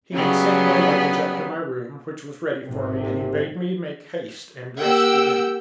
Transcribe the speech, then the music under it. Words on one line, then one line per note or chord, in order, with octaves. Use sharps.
He had sent my luggage up to my room, which was ready for me, and he bade me make haste and dress for dinner.
C#3 F#3 G3 B3
G#1 C3
A#3 G4 F#5 G5 E6